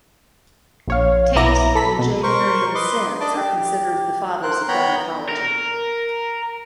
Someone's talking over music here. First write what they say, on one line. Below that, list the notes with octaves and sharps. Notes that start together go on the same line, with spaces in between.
Tait and J. Marion Sims are considered the fathers of gynecology.
A#1 C#5 F5
B1 B3 E4 A#5 D6 A#6
A4 B5 B6
B2
A#4 C5 C#6
B4 D#5 C6 D6
D4 D5 D#5 A5 D6
G4
A#4 C5 F#6
B3 C#5 G5 A#5 B5
A#4